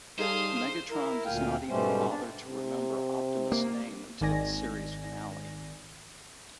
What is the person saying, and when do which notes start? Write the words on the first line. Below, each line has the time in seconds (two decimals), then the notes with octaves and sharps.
Megatron does not even bother to remember Optimus' name until the series finale.
0.18 G3 D#4 G#4 A4 C5 F5 D#6
0.91 E4 A#4
1.26 D2 A#2 F5 G5 G#5
1.69 G#2 B2 G3 A3 C#4 C5
2.08 D4
2.43 C3
3.52 A#3
4.21 G#1 D#3 D5 G#5 A#6